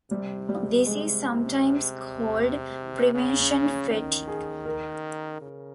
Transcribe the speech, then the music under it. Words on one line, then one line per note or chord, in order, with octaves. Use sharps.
This is sometimes called "prevention fatigue".
C3 G3
G3
G#3
C#3
C#4
C#4
D#3
G#4
A#4
C#3